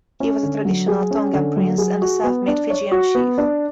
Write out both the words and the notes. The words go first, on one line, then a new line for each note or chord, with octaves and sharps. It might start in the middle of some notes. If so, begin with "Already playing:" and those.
He was a traditional Tongan Prince and a self-made Fijian chief.
C#4
D3
F#3
G#4
C#4
D3
F#3
G#4
F#4
B3
D4
C#5
F#4
B3
D4